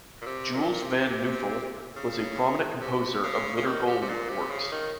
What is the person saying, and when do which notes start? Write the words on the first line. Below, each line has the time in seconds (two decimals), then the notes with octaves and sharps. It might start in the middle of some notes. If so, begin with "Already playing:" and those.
Jules Van Nuffel was a prominent composer of liturgical works.
0.22 A#2
0.26 C3
0.54 A#2
0.83 C3
1.96 C#3
2.81 C3
3.23 C#3
3.56 C#3
3.66 D#3
3.87 C3
4.02 C3
4.09 A#2
4.29 C3
4.51 C#3
4.72 D#3